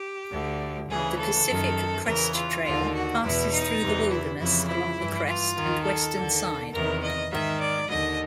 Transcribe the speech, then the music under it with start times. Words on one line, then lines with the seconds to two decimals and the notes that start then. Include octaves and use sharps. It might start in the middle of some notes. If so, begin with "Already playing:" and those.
The Pacific Crest Trail passes through the wilderness along the crest and western side.
Already playing: G4
0.30 D2 D3
0.88 D2 C#3 E3 G#4
1.18 A4
1.47 F#2 D#3
2.05 E2 C#3 E3 A#4
2.34 F4
2.63 D#2 D3 F4
2.93 F#4
3.21 E2 B2 E4
3.51 D#4
3.80 E2 C3 E3
4.10 E4
4.38 F2 C#3 E3 E4
4.67 E4
4.97 G2 E3
5.26 F4
5.55 D#2 D#3
5.84 A4
6.14 D#2 D3
6.72 E2 C3 D#3 A#4
7.01 D#5
7.30 G#2 D#3 E5
7.60 D5
7.88 D#2 D3 D#5